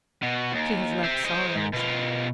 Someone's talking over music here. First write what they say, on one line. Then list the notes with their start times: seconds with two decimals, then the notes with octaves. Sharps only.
She has left sorrows.
0.23 B2
0.52 D#2
1.04 C5 E5
1.25 C5 D#5
1.55 G#2
1.73 B2 F4